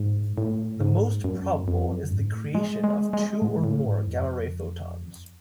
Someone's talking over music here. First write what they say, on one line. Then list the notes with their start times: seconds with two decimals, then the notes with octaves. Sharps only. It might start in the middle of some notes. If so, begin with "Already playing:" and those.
The most probable is the creation of two or more gamma ray photons.
Already playing: G#2
0.38 A2
0.81 G#2
1.24 F#2
1.68 F2
1.89 F#2
2.11 G#2
2.33 A2
2.55 G#3
2.84 G#3
3.13 G#3
3.42 A2
3.64 A2
3.85 G#2
4.07 F2